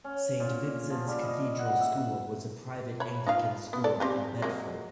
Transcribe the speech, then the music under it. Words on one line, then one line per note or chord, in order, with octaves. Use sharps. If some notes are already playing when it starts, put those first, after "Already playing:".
Saint Vincent's Cathedral School was a private Anglican school in Bedford.
C#4
A#2
F3
G3
D#5
F#5
E5
C#5 B5
D#4 F4 F5
B3
A4 D5
C4 G4 G#4
F#3 G#3 A#3